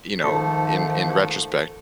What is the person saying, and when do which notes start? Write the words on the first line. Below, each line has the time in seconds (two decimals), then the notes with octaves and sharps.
you know, in in retrospect,
0.24 G#2 D#3 F3 A3 A4